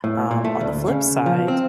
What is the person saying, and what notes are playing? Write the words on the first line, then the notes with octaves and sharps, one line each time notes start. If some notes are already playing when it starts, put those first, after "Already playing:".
um, on the flip side,
A2
A#2
A3
D2
C#3
F3
C4